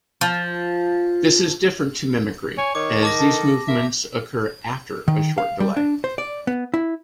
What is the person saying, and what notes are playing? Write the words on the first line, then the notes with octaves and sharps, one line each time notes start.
This is different to mimicry, as these movements occur after a short delay.
F3
C#5 G#5
D#3 C#5 D6
A5 D6 A#6
A4
A#3 E5
D#3
F5
G3
D4
C5
D5
B3
E4